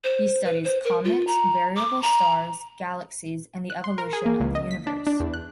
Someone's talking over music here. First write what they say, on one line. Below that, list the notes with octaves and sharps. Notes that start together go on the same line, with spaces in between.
He studied comets, variable stars, galaxies and the evolution of the universe.
C5
B4
C5
A#4
F4
A#5
D6
A#5
F#6
C6
A#4
G#4
A#3
C#2
D#5
B6
D4
D4
E2
F#6